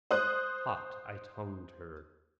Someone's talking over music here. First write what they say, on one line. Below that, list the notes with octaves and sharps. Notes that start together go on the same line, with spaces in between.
Hot I tongued her.
C5 D#6 F#6